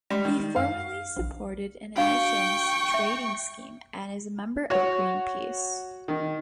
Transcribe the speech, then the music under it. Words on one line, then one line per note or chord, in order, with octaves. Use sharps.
He formerly supported an emissions trading scheme and is a member of Greenpeace.
G3 G#3
D#3
F#2 F5
A#1
D4 F#4 F5 G5 C#6
E5
F#4 C#5
D#3